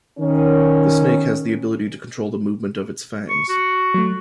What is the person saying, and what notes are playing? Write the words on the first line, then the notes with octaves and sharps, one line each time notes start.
The snake has the ability to control the movement of its fangs.
D#3 C#4
C#6
F#4
F#3 A3